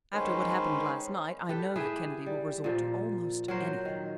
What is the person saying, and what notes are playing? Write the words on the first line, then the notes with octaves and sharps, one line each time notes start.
"After what happened last night I know that Kennedy will resort to almost anything."
D#3 G#3 C#4 B4 C5
G4 A4 B4
E4 G4 G#4 B4
G3
A#2 F3
F#3 A#4 C5
D#3